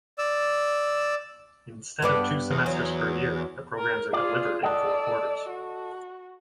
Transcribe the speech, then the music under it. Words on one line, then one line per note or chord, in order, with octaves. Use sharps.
Instead of two semesters per year, the programs are delivered in four quarters.
D5 E6
G2 B3 D4
E2
F#3
A#4
F4 G#4 D5
A4 D5 D#5 F#5 E6
F#4